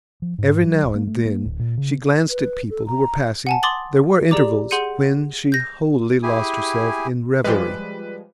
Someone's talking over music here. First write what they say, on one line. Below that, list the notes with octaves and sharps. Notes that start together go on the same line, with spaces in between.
Every now and then she glanced at people who were passing; there were intervals when she wholly lost herself in reverie.
F3
G#2
F#3
D#1
A#3
A3
A#3
D1
A#2
C#3
B4
A4
A#5
F#5 G#5 A5
C6 D6 D#6 A6 F#7 G7
G4 G#4 D5 A#5 D6
G#4 F#5 C6 G6 C#7 D#7
G6 A#6
E4 G4 G#4 G#5
F3 G3 G#3 B4